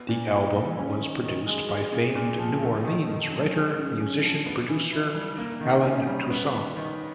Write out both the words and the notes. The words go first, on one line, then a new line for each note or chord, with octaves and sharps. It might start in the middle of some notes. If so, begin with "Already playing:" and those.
The album was produced by famed New Orleans writer-musician-producer Allen Toussaint.
Already playing: B3
A#2
E4
G3
C#4
D#3
D#3
G#3
G#3
A#2
A#2
F3
A3
D#3
D#3
F#3
G#3
C#3
C#4
F3
B3
E3
E4
G3
A#3
D#3
C#4
G3
B3
D#3
D#3